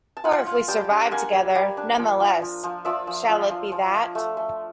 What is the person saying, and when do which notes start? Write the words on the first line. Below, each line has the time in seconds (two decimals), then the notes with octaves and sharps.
Or if we survive together nonetheless - shall it be that?
0.17 A5
0.24 F4 F#5 G#5
0.46 F4
0.68 G3 G5 A5
0.90 D4
1.11 A#3 F#5 G#5
1.33 G3
1.55 G3
1.77 D4
1.99 F3
2.20 F3
2.42 F3
2.63 F3
2.85 F3 D5 E5
3.07 F3
3.29 F4
3.50 F3
3.72 F3
3.94 F3
4.15 A3
4.37 A3